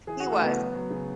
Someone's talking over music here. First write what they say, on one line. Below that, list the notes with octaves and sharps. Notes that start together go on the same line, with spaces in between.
he was.
E3 G#4
E3 F#4
A3 A4
C#3 B3 B4
F#3
F#3
C#3